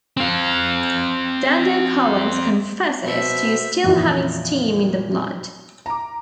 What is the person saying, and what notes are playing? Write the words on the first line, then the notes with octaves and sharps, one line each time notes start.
Dando-Collins confesses to still having steam in the blood.
C4 F5
B2 C5 E5
F2 A#2 E3
A#5 D6